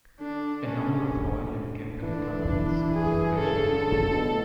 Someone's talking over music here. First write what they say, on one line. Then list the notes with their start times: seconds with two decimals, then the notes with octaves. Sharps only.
A number of oil and chemical companies were gradually built.
0.20 D3 D4
0.65 C#4
2.01 E3 D4
2.16 D3
2.32 E3
2.47 E3
2.93 G#4
3.38 C#3 A4
3.53 C#3
3.68 D3
3.83 C#3
3.99 D3
4.13 B2
4.28 A2